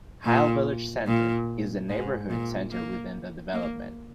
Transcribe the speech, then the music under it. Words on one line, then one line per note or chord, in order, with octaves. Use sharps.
Haile Village Center is the neighborhood center within the development.
A#2
A#2
G#2
A#2
A#3
A#3